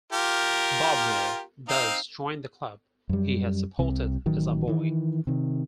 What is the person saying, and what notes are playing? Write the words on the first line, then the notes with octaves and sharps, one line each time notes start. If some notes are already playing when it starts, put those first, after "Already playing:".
Bodmer thus joined the club he had supported as a boy.
F4 G4 A#4
C4 D#4 F5
F#2 G3
C2 C3
A1 D#3 F#3
D#3 E3
C3 D#3